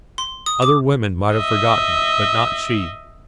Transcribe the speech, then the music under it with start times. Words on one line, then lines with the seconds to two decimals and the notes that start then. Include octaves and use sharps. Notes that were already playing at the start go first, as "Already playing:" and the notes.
Other women might have forgotten, but not she.
0.18 C6
0.46 D#6
0.62 D6
1.34 D#5 E5